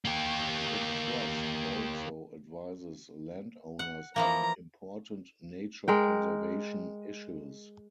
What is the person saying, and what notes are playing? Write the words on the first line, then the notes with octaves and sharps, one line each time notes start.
The Trust also advises landowners on important nature conservation issues.
A#3 G4
F#5
E3 F3 A#3 A#5
G#3 A#4 G5